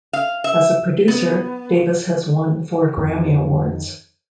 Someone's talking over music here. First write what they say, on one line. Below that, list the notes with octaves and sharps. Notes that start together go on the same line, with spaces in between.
As a producer, Davis has won four Grammy Awards.
F5
E5
B3
F2 D#3